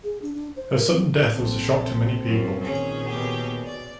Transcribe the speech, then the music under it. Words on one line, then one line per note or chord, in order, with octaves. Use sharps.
Her sudden death was a shock to many people.
G#4
D4
D4
C5
A#4
C4
A#1 C4 A4
F#2
A#2 D#3 C#4 G#4 C#5
B2 G4
B2 D5